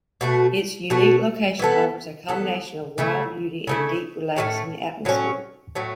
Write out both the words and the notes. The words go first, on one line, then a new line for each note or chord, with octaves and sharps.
Its unique location offers a combination of wild beauty and a deep relaxing atmosphere.
B2 A3 F#4
B2 A3 F#4
E3 B3 A4
E3 B3 A4
C#3 A3 E4
C#3 A3 E4
A2 F#3 A3 C#4
A2 F#3 A3 C#4
A2 F#3 A3